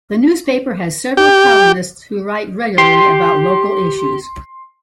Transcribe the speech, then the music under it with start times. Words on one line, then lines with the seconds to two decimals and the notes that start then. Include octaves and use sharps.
The newspaper has several columnists who write regularly about local issues.
1.17 G4
2.78 G4 C6